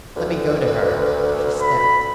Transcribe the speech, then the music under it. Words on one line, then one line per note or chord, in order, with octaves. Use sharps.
"Let me go to her." She stepped.
D2 B4
B5